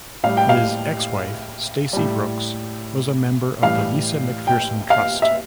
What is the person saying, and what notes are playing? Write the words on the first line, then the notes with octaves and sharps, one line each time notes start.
His ex-wife, Stacy Brooks, was a member of the Lisa McPherson Trust.
A2 G3 F5
G5
F5
A2 G3
A2 E3 G3 F5
G5
F5
E5